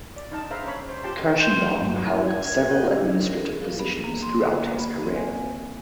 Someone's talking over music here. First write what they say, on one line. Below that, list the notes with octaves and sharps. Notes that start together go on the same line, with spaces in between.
Kirschenbaum held several administrative positions throughout his career.
D5
D4 D#4 A5
G#4 B4 C5 E5 F5 A#5
C#4 C#5 B5
C5
F4 G4 G5 A5 C6
C6 G6
G2 F#3
E4
G#6
A#4 D#5 F#5 G5
D4 E4 G4
A#4
G#4
F3
B3
A#3
C6
D3
A#3
B5
C4
G#5
G#5